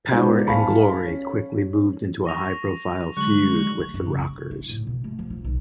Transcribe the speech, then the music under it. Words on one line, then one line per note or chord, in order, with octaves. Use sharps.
Power and Glory quickly moved into a high-profile feud with The Rockers.
G#3 B3 D#4 F4 C5 D5
F5 G#5 A5 B5 C#6
C#4
C#6 A#6 F7
D3 F#3 G#3 C#6 F#6 F#7
A3
F#2
C#3
C4
E4
A2
B2
A3
F3
F4
B1